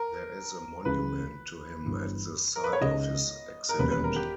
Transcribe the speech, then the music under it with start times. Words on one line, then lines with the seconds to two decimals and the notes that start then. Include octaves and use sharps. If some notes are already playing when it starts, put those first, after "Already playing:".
There is a monument to him at the site of his accident.
Already playing: A#4
0.85 C#2 C#3 E3 B4
1.83 G1 G2 E3
2.56 A#4
2.64 B4
2.73 C#5
2.81 C#2 C#3 G#3 D#4 D#5
3.69 A#4
3.78 E1 D#2 D#3 G3 C#4 B4
3.91 B4
4.04 A#4
4.16 G4